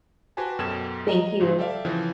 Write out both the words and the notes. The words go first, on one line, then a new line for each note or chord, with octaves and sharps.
Thank you.
F#4 G4 B4 C5 G#5 A5
F#2 B2 G4 A4 G#6 E7
D#5 A#5
G#2 C#3
G4 A4 D5 E5 F5
C#3 E3 F3 C4